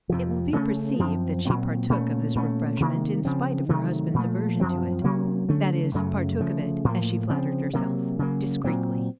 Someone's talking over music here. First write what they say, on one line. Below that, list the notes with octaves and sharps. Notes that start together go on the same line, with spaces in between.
It will be perceived that she partook of this refreshment in spite of her husband's aversion to it, that is partook of it, as she flattered herself, discreetly.
F2 C3 F3
C#3 A3 C#4
F#2 F3 C4
A#2 F#3 C4
A#2 A3 C#4
A#2 A3 C#4
C3 D#3 A#3
C#3 F3 C4
C3 D#3 F#3 A3
A#2 F3 A3
F#2 F3 C4
C3 F#3 A#3 C#4
C#3 F#3 A3 C#4
F#2 C#3 F#3 A3
C#3 F3 A3
A2 F3 A#3
C#3 F3 C4
C3 F#3 A#3
C#3 F#3 A#3
A#2 F#3 C4